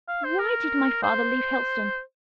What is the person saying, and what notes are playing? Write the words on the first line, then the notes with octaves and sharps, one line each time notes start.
Why did my father leave Helstone?
F5
C5
A#4
C5